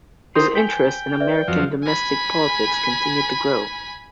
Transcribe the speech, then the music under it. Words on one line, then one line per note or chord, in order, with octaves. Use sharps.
His interest in American domestic politics continued to grow.
D#4 E4 G4 A#4 C5 C6
G5 G#5 B6
B4 D5 E5
F2 F3 F#3
G#5 B5